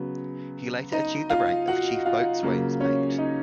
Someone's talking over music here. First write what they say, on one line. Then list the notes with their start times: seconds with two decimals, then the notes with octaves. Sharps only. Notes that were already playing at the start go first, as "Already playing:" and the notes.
He later achieved the rank of Chief Boatswain's Mate.
Already playing: C#3 F#3 B3
0.92 D#4 D#5
1.30 F4 F5
1.68 F#4 F#5
2.06 F4 F5
2.43 C#3 F#3 A#3
2.80 C#4 C#5
3.18 D#4 D#5